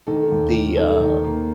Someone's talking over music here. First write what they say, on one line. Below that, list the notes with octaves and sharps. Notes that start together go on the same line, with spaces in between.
the, uh,
D#3 A4
D#2
D#3
D#3 A4
D#3
A#3